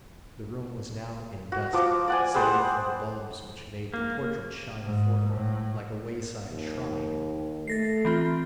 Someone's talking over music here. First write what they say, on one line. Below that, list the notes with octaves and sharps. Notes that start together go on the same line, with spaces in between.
The room was now in dusk, save for the bulbs which made the portrait shine forth like a wayside shrine.
F#4
F3 D6
D5 F#5 G#5
G3 G#3 C5 F#5
A#3
G#2
A2
D#2
A3 A6 A#6 C7
E3 C4 F4